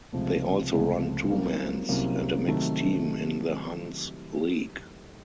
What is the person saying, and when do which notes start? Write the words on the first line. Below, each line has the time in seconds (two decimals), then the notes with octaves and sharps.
They also run two men's and a mixed team in the Hunts league.
0.12 C#2 C3 F3 A3
0.71 C#2 C3 F3 A3
1.30 C2 C3 F#3 A#3 C#4
1.89 C2 C3 F#3 A#3 C#4
2.47 C3 D#3 F#3 A3